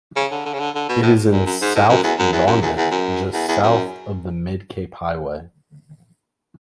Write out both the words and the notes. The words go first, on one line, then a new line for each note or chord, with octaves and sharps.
It is in South Yarmouth, just south of the Mid Cape Highway.
C#3
D3
D3
C#3
D3
D3
B2
A2
F#2
F#2
G#2
A2
F#2
E2
F#2
E2
F#2
E2
E2
F#2
E2
E2
F#2